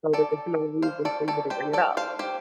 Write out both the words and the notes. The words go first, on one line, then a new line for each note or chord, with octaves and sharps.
so there's no reason for you to bring it up.
A4 D5
C5 F5
A4 D5
A4 D5
G4 C5
A4 D5
C5 F5
G4 C5